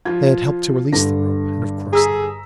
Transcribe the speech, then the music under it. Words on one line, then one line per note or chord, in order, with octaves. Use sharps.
They had helped to release the rope, and of course not.
F3 F4 G#6
G2 D3 A#6
G#4 A#5 E6 B6